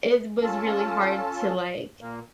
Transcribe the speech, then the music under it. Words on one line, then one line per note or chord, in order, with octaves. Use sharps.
it was really hard to, like,
C#4 F4 A4 A5
A#2 A#3